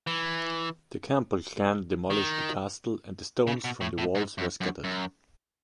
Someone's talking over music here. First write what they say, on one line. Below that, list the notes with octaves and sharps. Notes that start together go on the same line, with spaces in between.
The Campbell clan demolished the castle, and the stones from the walls were scattered.
E3
D#3
C#3
B2
A2
A2
G#2
F#2
F#2
F#2